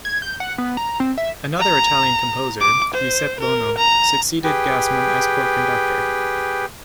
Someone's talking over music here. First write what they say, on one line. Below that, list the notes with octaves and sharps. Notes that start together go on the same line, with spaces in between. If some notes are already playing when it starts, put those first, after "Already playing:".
Another Italian composer, Giuseppe Bonno, succeeded Gassmann as court conductor.
G#6
G6
F#5
B3
A#5
C4
E5
A#5
D6
C5
A#4
A#5
G4 G#4 B4 G5